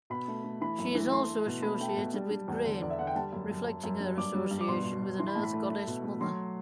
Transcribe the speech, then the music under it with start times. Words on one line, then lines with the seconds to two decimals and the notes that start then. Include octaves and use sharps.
She is also associated with grain, reflecting her association with an earth goddess mother.
0.10 B2 B5
0.28 A3
0.44 A3
0.61 E3 B5
0.79 F#2
0.95 E3
1.12 A3 C6
1.29 A3
1.46 B2
1.63 A3 B5
1.80 A3 G5
1.88 A5
1.97 B2
2.14 G3
2.31 G3
2.48 E2
2.64 D3
2.82 E2 D5
2.90 E5
2.99 D3 F#5
3.07 G5
3.16 G3 A5
3.33 F#2
3.50 F#2
3.66 F#2
3.84 F#2
4.00 G3
4.17 G2 D6
4.35 G3
4.51 G2
4.61 D6
4.68 B2 C6
4.85 B2
5.02 B2
5.19 E3 C6
5.28 B5
5.35 A2 A5
5.43 B5
5.53 A3
5.70 A3
5.87 B2
6.04 A3
6.21 F#3 C6